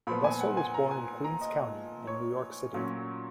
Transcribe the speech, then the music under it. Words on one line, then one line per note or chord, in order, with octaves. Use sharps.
Russell was born in Queens County in New York City.
A#2 F3 B3 B5
G#5
F#5
G#5
A#5
G#5
A#5
D#5
C#5
A#2 F#3 C#4